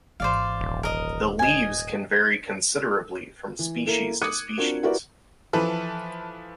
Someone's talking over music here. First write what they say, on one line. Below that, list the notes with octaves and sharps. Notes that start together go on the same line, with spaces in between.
The leaves can vary considerably from species to species.
G#1 E3 C5 D5 F5
D#1
A#4 D#5
G#2 D#5 G#5
E3
A#3 E4 A4
D6 D#6 F#6 G#6 C#7 D#7
C4 D4 F4 F#4 A#4
E4 F#4 G4 A#4 B4 D5
E3 F3 A4 B4